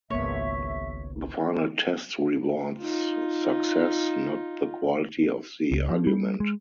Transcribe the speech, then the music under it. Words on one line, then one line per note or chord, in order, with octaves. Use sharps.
The final test rewards success, not the quality of the argument.
G#1 C#2 A#3 B3 C#5 E5
D#4 F4
C#2
F3
G3
G#3